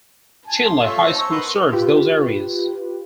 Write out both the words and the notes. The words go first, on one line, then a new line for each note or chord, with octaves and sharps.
Chinle High School serves those areas.
G#5 A5
G3 C6
A3 C#4 F4
D#4 C5 A5
C#6 E6
B3 A#4 C6
F4 G4 B4